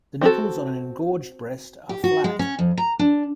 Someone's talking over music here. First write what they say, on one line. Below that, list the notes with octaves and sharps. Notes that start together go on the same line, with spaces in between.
The nipples on an engorged breast are flat.
C4 D#4 E4 F#4 A4
G4
F#4
G#3
C#4
F2
A#5
D4